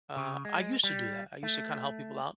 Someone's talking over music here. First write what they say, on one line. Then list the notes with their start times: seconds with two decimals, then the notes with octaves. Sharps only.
uh, I used to do that, I used to kinda help people out,
0.16 C#3
0.45 G#3
0.84 G3
1.43 A3